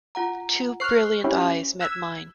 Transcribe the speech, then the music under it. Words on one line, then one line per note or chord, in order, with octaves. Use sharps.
Two brilliant eyes met mine.
F4 F#5 A#5
C5 C#6 F6 F#6 C7
C#4 E4 G4
E6 F#6 G#6 B6